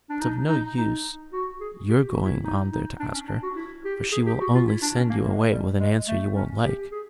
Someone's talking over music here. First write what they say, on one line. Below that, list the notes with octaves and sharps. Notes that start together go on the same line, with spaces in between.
It's of no use your going on there to ask her, for she will only send you away with an answer you won't like.
D4
D#4
D#4
D#4
F#4
G#4
G4
F#4
E4
D#4
D#4
D4
C#4
D4
F#4
E4
G4
G#4
G4
F#4
F4
E4
D4
C#4
A#3
A3
G#3
A3
G3
G#3
A3
C#4
G4
G#4